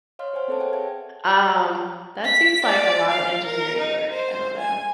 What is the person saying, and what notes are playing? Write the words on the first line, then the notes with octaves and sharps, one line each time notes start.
um, that seems like a lotta engineering work. I don't know.
C#5 D#5 F5 C6 F6
C5 D5 F#5 G#5 F6
C4 A4 B4 F#5 A5
G#4 C#5 G5 G#5
E5 A5 G#6
B6
D5
F5
A#4
D#4
C5
G#5